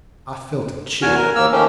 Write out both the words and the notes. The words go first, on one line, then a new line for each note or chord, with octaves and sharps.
I felt a chill.
E2 F#4 G#5 F6
A#4
D#2 A#3 E6 F6
D#3 F3 A3 A#3 C#4